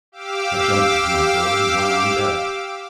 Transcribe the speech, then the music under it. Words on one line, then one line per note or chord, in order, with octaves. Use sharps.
I jumped into my clothes and went on deck.
G4 F5 D6 E6